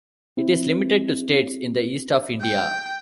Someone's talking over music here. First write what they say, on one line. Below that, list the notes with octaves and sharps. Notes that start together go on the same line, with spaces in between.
It is limited to states in the East of India.
C4 E4
G5